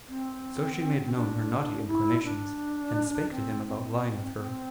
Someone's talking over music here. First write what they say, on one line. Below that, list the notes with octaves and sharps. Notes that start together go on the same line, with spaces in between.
So she made known her naughty inclinations, and spake to him about lying with her.
C4
D4
E4
D4
C4
C4
C4